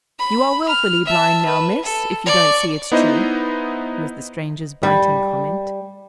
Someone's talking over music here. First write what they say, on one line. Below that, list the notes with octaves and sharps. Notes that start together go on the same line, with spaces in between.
"You are willfully blind now, miss, if you don't see it's true," was the stranger's biting comment.
B5
F6
E5 A5
B4
A4
D5 C#6
B3 D#4 E4 C5 D#5
G3